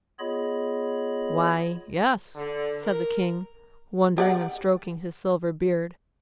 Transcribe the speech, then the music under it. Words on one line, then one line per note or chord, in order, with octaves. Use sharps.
"Why, yes," said the King, wondering and stroking his silver beard.
B3 F4 G#4 C#5 D#5 B5
D3
A#4
G4 D5 F#5